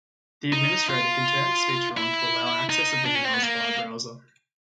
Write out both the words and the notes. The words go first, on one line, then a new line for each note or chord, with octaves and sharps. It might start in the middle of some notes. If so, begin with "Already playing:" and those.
The administrator can turn this feature on to allow access of emails via browser.
D#4
F4
E4
D#4
D4
C#4
C4
B3
A#3